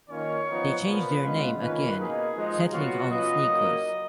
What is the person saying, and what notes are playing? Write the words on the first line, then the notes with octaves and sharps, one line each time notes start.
They changed their name again, settling on Sneakers.
D#3 A#3 C#4 F4 C#5
F3 B3 D#4
A#2 F3 B3 B4
C#3 G#3 B3 F4
D#3 A#3 C#4 F4 B4
B2 A#3 D#4 G#4
F3 G#3 D#4
F#3 B3 F4 F#4
C#3 F#3 B3 F4 D#5
F#3 A#3 D#4